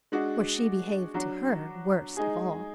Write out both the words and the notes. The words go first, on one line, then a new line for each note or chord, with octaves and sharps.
For she behaved to her worst of all.
G#3 D4 F#4
F#3 D4 F#4
G#3 D#4 G#4